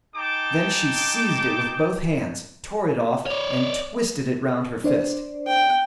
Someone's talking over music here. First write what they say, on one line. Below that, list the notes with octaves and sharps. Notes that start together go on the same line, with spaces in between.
Then she seized it with both hands, tore it off, and twisted it round her fist.
D#4 G#4 G5 A5 D6
C#5 D5
D4 C5 D5
G5